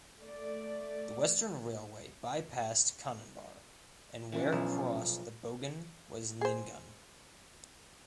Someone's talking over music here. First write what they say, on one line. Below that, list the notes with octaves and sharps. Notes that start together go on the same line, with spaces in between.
The Western Railway by-passed Canonbar, and where it crossed the Bogan was Nyngan.
A3 D5
E3 F3 C#4 D4
B1 F3
G#4 C5